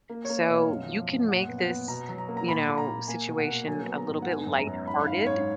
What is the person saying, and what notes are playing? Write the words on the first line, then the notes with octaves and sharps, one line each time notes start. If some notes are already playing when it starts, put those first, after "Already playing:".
So, you can make this, you know, situation a little bit lighthearted,
A#3
A#3 C#5
D#5
B2 F5
F#2
F3
F#2
A#2 F#5
B3
F#5
B3
B2 A#5
F#3
A#5
A#3
A#5
A#2 B5
A#2
A#5
A#2
A#3 G#5
B2
F#5
A#3
F#3 G#5
B3
A#5
G#2
F#5
B3 G#5
F#2
A#5
F#2
G#2 B5
G#2 F5
G#2 C#5